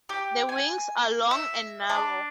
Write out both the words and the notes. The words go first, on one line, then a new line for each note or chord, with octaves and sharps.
The wings are long and narrow.
G4
G#5
E5
D4